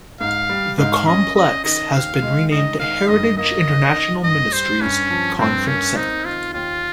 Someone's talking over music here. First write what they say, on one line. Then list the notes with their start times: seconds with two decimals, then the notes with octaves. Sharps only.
The complex has been renamed Heritage International Ministries Conference Center.
0.21 G#2 F5
0.49 G3
0.78 G#2 F5
1.07 C#4 D#5
1.36 C#4 D#5
1.64 D#3 D#5
1.94 D#2 F5
2.22 G#3
2.51 D#4 D#5
2.80 D#3 F5
3.08 G2 D#5
3.37 A#3 D#5
3.66 C#4
3.95 D#3
4.23 G2 D#5
4.53 G3 C5
4.81 G2 C#4
5.10 F3
5.39 G2 C4
5.67 A#3 C#4
5.97 C4 D#4
6.25 D#3 F4
6.54 D#2 F4